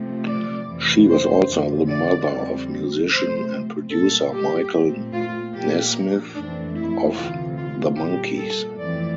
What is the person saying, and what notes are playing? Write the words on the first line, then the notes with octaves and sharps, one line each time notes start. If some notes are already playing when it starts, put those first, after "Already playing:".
She was also the mother of musician and producer Michael Nesmith of The Monkees.
Already playing: C3 F3 A3 C4
D5
F2 C3 E3 A3
C5
F2 D3 F3
D5
F2 D3 G3 C4
C3 F3 A3 C4 C5
A#2 G3 A#3 A4
G4
A#2 A3 C4
F4
A#2 F3 A#3 G4
F2 E3 A3 C4 D4
E4
D2 C3 E3 F4
F4
A#2 G3 A#3 G4
A4
F2 E3 A3 C4 D5